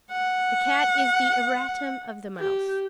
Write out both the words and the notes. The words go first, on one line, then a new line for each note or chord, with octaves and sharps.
The cat is the erratum of the mouse.
F#5
G4